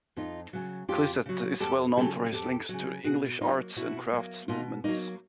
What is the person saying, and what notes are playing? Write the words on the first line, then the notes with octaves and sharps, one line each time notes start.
Clissett is well known for his links to the English Arts and Crafts Movement.
F2 D#4 F4
C#3 F#3
F2 F4 G4
C#3 F#3
F2 G4 A4
C#3 F#3 G4 A4
F2 G4 A4
C#3 F#3
B2 F#4 G#4
F#3 A#3 D#4 F4
B2 E4 F#4
F#3 A#3
B2 D#4 F4
F#3 A#3 D#4